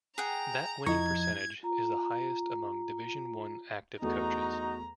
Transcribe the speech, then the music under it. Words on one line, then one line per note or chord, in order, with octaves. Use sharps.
That winning percentage is the highest among Division One active coaches.
G#4 F#5 G5 A#5
F2 F3 E4 D#5 A#5 G#6
F4 A#5
E2 A3 D#4 F#4 A#5